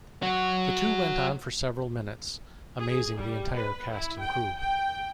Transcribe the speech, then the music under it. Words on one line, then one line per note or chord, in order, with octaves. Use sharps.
The two went on for several minutes, amazing the entire cast and crew.
F#3 F#4
G#4
G3
B4
E4
G5
G5